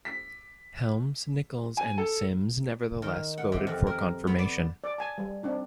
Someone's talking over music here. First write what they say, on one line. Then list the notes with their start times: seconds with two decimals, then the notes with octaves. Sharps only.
Helms, Nickles, and Symms nevertheless voted for confirmation.
0.05 B6
1.77 G#5
1.98 A4
3.02 D#3
3.38 F#5
3.52 C3
3.67 F2
3.87 A#4
4.27 B3
4.39 D5
4.84 D5
4.98 G#5 A5
5.18 G3
5.43 C4 D4 D#4